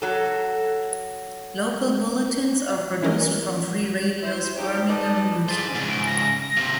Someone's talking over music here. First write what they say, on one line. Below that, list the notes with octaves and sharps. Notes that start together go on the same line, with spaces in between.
Local bulletins are produced from Free Radio's Birmingham newsroom.
F#3 A4
E3 C#4 A#4 D#5
E4 C5
F3 G#3 C#4 D#4 G4
D#4 A4 B4 D5 D#5 A5
G#4 C5 A6
G#2 C#3
D7
A#6
D#2 C3